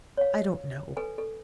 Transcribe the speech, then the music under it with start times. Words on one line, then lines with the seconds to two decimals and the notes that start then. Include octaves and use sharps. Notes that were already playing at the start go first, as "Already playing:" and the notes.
I don't know.
0.17 C#5 F5
0.97 A4 B4 G#5
1.18 A4